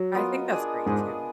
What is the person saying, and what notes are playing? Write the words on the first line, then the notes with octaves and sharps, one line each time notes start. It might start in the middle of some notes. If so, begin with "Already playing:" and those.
I think that's great, too.
Already playing: F#3
B3 F4 A#4 D#5
D4 G#4 D#5
G#2 D4 G#4 D#5